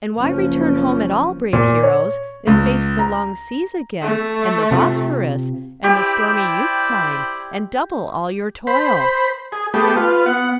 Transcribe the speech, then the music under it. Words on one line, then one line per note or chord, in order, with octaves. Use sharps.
And why return home at all, brave heroes, and face the long seas again, and the Bosphorus, and the stormy Euxine, and double all your toil?
F#1 F3 A#3 C#4
A#2
C#5
C#2
A#5
A3
C3 F4
E4 G4 C5 D5 G5
C5 B5
G#4
A3 B3 G4 G#4
F4 B4
B3 F#5